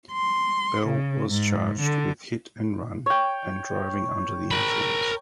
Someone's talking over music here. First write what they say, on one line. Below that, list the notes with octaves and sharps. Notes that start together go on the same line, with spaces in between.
Bell was charged with hit and run and driving under the influence.
C6
C#3
G#2
D3
C#5 G5
A#4 B5